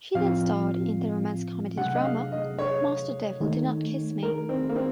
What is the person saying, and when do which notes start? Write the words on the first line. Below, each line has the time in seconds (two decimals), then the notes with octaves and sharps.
She then starred in the romance comedy drama "Master Devil Do Not Kiss Me".
0.15 A2 F3 C4 F4 F5
1.77 C3 F#3 A3 F#5
1.95 D#5
2.05 F5
2.32 D#5
2.59 C#5
3.40 D#3 A3 D#4
4.23 A#4
4.49 C4
4.69 A#3
4.76 C4